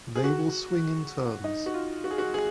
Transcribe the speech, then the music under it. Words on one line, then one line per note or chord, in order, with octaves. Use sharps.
They will swing in turns.
G#4
F#4
D#4
F#4
F4
F#4
G#4
F#4
G#4